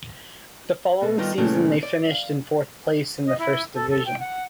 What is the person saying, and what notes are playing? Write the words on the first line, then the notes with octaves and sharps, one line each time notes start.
The following season they finished in fourth place in the First Division.
B2 A4
D#3 G3 B3 D#4 F4
A#2 C#3 E3 G3 A3
D5
F5
D#5
E4
A4
A4
G5
F#5